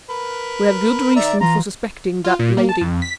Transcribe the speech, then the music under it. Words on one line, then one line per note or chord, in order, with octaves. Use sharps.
We have good reasons for suspecting that lady.
A#4 B4
D#3 D5 E5 A#5
E3 F4 A#5
F4
A#2
A#3
A5
F2
B6